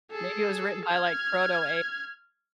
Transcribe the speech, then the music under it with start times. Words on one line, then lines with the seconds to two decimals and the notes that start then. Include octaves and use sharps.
Maybe it was written by, like, Proto AI,
0.11 G#4 A4
0.86 F6 G#6